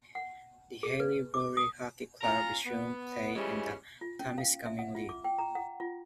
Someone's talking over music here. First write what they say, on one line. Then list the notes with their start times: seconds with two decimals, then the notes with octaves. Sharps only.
The Haileybury Hockey Club resumed play in the Temiscaming League.
0.15 F#5
0.83 G#4
1.00 B4
1.34 D6
1.57 D#6
2.21 C#4 F4 A#4 A#5
2.66 B3
3.35 C#3 E3 F3 G3 G#3 C#4
4.01 F4
4.19 C#4
4.38 F5
4.66 E5
4.79 F#5
4.95 F4
5.09 D6
5.24 G5
5.38 A#5
5.55 F#5
5.80 F4